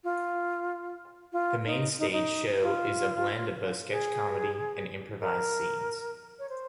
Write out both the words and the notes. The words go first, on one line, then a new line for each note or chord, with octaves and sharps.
The mainstage show is a blend of both sketch comedy and improvised scenes.
F4
F4
D#4
D#4
D#4
F4
G#4
A#4
C#5
C5